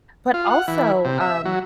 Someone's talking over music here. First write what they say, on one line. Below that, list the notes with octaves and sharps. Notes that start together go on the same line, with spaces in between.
But also, um
F4
F#5
E3
C3
E5
F#3